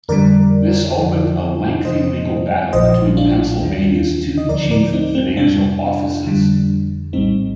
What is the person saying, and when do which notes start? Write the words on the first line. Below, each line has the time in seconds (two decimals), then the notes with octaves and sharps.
This opened a lengthy legal battle between Pennsylvania's two chief financial offices.
0.09 F2 D3 G3 A#4 D5
0.97 F2 D3 F3
1.85 F2 C3 F3 C5 D#5
2.73 A#1 A#2 F3 C5 D#5
3.17 D4 F4
3.61 D#2 D#3 G3
4.38 D#5
4.49 D2 D3 F3 A#4 D5
4.71 A#4 D5
4.93 C4 D#4
5.15 C4
5.37 F2 C3 G3 D4
6.25 F2 D3 G3
7.13 A#1 A2 G3 C4 D#4